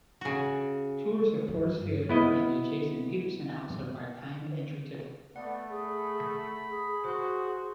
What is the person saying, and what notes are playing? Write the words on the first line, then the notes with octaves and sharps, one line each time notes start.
Tours of Ford's Theatre and the adjacent Petersen House are by timed-entry ticket.
C#3 F#4
G2
B3 E4 D#5
A3 B3 D5 F#5
G#4 B5
G#4
F#4 C5 C6